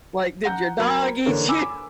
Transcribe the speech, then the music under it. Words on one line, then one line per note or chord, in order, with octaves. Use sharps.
Like, "Did your dog eat you?"
F#5 A#5 G6
F#3 A#4 B5 G#6
D3 E3 A#3 A#4 C#5
G#5 B5 D6 E6